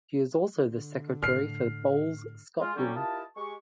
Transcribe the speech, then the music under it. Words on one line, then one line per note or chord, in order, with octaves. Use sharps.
She is also the Secretary for Bowls Scotland.
D3
A2 F6 C7
G#3 F4
D3 F#3 G3 C#4
E4 F4 G4 A#4 D#5 A5
G#3 G4 C#6